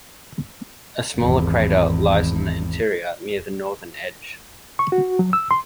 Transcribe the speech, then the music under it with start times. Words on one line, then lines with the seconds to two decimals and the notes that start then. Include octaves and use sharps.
A smaller crater lies on the interior near the northern edge.
1.17 G#1 E2
4.79 C#6
4.92 F#4
5.19 F#3
5.33 E6
5.51 C6